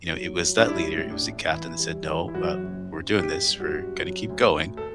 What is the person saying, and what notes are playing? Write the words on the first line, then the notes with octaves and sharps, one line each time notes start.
you know, it was that leader, it was the captain that said, "No, uh, we're doing this, we're gonna keep going,”
F#3
F#3
D4
G3 E4
A2
D4
A1
E3 E4
G3
E3
E4
F#2 F#4
F#1
F#1
F#1 G4
G3
F#4
F#1
F#3
D2
D2
A4